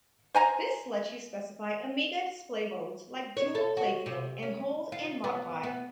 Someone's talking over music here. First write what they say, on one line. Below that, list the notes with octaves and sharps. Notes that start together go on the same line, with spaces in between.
This lets you specify Amiga display modes like "dual playfield" and "hold and modify".
C5 G#5 A#5
C#5
A4
F#4
C3
C#4
F4
B3
B3